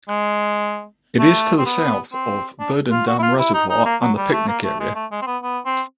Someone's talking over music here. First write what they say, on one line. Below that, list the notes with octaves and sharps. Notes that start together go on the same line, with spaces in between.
It is to the south of Berdan Dam reservoir and the picnic area.
G#3
A3
C4
B3
C4
D4
F4
F#4
E4
F4
E4
D#4
D#4
A#3
F#3
G3
A3
A#3
A3
G#3
A3
G#3
C4
B3
B3
C4